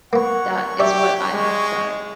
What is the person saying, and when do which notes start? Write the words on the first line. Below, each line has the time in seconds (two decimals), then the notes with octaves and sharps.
That is what I have tried.
0.13 A#3 B3 C#5 F#5
0.79 D4 G4 D5 E5
1.34 G#3